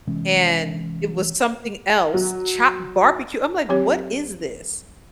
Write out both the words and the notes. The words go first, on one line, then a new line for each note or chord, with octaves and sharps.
and it was something else, chopped barbecue, I'm like, "What is this?"
C3 E3 G#3 C#4
F#3
F#3 C4 G4 C#5